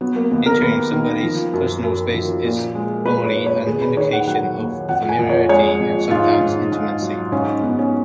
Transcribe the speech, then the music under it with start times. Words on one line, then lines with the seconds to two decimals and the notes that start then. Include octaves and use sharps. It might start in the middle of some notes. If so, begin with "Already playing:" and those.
Entering somebody's personal space is normally an indication of familiarity and sometimes intimacy.
0.01 F#3 B3
0.16 A#3
0.31 D#2 B3
0.46 A#4
0.62 D#2 B4
0.92 D#3
1.23 F3
1.53 F#2
1.84 F#2
2.14 F3
2.45 A#2
2.75 G#3
3.06 A#2 B4
3.26 C#5
3.36 A#2
3.46 C#5
3.66 D#2 G#4
3.82 B4
3.97 D#3 C#5
4.13 F#5
4.27 F#3 F#5
4.57 D#2
4.89 F2 F#5
5.09 G#5
5.19 F2
5.30 C#5
5.49 G#3 C#5
5.80 F2
6.11 G#2 F4
6.41 G#2
6.72 G#2
7.02 F#3
7.32 G#2 C#4
7.63 G#2 B3
7.79 C#4